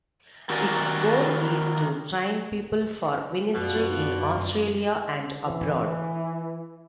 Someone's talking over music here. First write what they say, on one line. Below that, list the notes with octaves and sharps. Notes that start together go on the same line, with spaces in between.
Its goal is to train people for ministry in Australia and abroad.
D#3 F#4 G4 A#4 D5 G#5
F#2 B2 F4 D5
E3